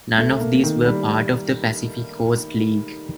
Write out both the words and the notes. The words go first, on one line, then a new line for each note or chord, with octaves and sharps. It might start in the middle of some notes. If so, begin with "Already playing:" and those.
None of these were part of the Pacific Coast League.
A3
A#3
D#3
G3